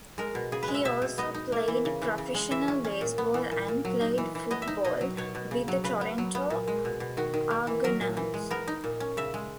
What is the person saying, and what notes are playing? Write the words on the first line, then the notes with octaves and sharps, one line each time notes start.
He also played professional baseball and played football with the Toronto Argonauts.
G#3 A#4
B2
C#3 G#4
B4
G#3
E5
B2 E5
B2
B3 D#5
D#4
A#3
E3
C#3
E3
C#3
G#3
E3 E5
C#4
C#4
A#2
B3
E3
A#2
A#2
F#3
D#4
E3
E3
B3 D#5
E5
D#4
B2 D#5
F#3
B2 C#5
B2
C#3
F#3
C#3 B4
B3
F#3
B3
A#2
G#3
B2
B2
D#3 F#4
D#3
A#3
E3
F#3 A#4
A#2
E3
G#3
B3 A#4
D#4
A#2
C#4
C#3 E5
G#3